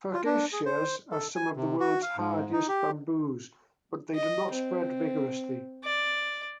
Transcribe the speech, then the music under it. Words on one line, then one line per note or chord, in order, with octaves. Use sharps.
Fargesias are some of the world's hardiest bamboos, but they do not spread vigorously.
F4
D4
G#4
C5
A4
G#5
C3
F#4
F5
G#2
D#4
G4
D#5
C4
D5